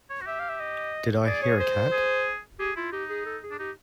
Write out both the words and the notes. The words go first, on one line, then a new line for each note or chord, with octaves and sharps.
Did I hear a cat?
C#5
F#4
G4 E5
F5
E5
D#5
G#4 D5
C#5
C5
G#4
G4 G#4
E4 F4
D#4 G4
G#4
A4
G#4
D4
D#4 G4